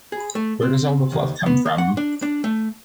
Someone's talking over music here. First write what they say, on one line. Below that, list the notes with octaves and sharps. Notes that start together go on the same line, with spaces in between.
Where does all the fluff come from?
G#4
A3
C4
D#2
B3
A#3
F#5
D4
D4
A3